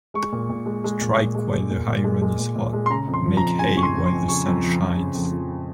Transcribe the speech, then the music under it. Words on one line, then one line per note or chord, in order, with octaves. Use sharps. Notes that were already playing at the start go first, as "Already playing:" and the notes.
Strike while the iron is hot Make hay while the sun shines.
G#3 C#6
A#2
A#2
G#3
G#3
A#2
A#2
G#3
G#3
A#2
A#2
G#3
G#3
A#2
A#2
G#3
C6
C#3 A#5
F2
C6
F3
A#5
F2
C#3 G#5
F2 C#6
C6
F3
C6
F2
C#3 C#6
F2
F3
F2
C#3
F2
F3